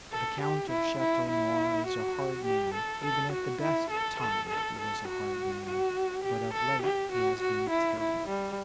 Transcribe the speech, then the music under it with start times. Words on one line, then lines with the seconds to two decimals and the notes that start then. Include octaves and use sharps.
The Count of Chateau Noir is a hard man, even at the best time he was a hard man. But of late he has been terrible.
0.12 A4
0.41 G4
0.70 E4
1.00 E4
1.29 E4
1.87 F#4
2.45 G4
2.74 A4
3.04 A4
3.32 F#4
3.61 E4
3.91 A4
4.20 A4
4.49 A4
4.79 A4
5.08 F#4
5.66 F#4
6.24 G4
6.54 A4
6.83 G4
7.12 F#4
7.41 F#4
7.70 E4
8.00 E4
8.28 G3